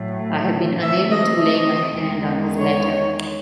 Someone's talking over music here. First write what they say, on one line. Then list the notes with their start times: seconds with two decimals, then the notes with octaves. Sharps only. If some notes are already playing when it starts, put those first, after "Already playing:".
I have been unable to lay my hand on his letter.
Already playing: A2 F#3 A3
0.80 C3 E3 A3 E5
1.10 D#5
1.40 D#5
1.99 E2 D#3 G#3
2.58 C#5